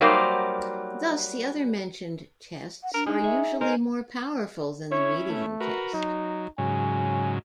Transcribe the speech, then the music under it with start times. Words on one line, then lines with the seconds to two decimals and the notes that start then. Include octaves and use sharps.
Thus the other mentioned tests are usually more powerful than the median test.
0.01 F#3 G3 A#3 D#4 C5 D5
2.83 F#5
2.94 D4 A#4
3.06 G#3 D#4 G#4
3.24 E5 C#6
3.61 A#4 C5 D#5 F5 G#5
4.91 C#4 E4 C#5
5.29 A3
5.60 F#4 A#4 B4
5.93 F#3 D#4
6.58 G#2 C#3 F#3 G#5